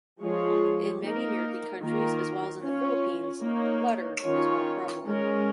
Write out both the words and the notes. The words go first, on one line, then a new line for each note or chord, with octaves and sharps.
In many American countries as well as in The Philippines, 'Letter' is more prevalent.
F3 G#3 F4 G#4 C#5
A#3 D#4 A#4
D#3 A#3 F4 A#4
C#4 F4 C#5
A#3 D#4 C#5
D#3 C#4 F4 C#5
G#3 C#4 A#4 C#5